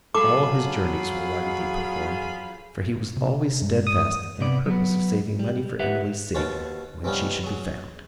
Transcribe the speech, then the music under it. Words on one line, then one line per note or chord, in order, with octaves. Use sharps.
All his journeys were ruggedly performed; for he was always steadfast in a purpose of saving money for Emily's sake, when she should be found.
F#3 F4 G#4 A4 B5 D6
C3
G2 G3 G#3
D#6
C3 B3 D5
F#3 B3
G3
G4 B4 E5 F#5
D#2 B2 C#4 C5 F#5 A5
E3 F3 G3 B3 C#4 D#4
F#3 G#4